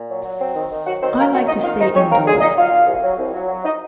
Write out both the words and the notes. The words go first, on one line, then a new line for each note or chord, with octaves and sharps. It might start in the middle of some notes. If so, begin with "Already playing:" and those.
I like to stay indoors.
Already playing: A#2
F#3
F#3
C4
D#3
D#3
F#3 F#4 F#5
D#3 C4 C5
F#3 A#3 A#4
D#3 F#4
D#3 D#4 D#5
D#3 F4 F5
G#2 D#4 D#5
C4 C#4 C#5
F#3 A#3 A#4
A#2 G#3 G#4
A#2 D#4 D#5
F#3 F4 F5
A#2
C2
F#3
C2
F#3
F#3
D#4 D#5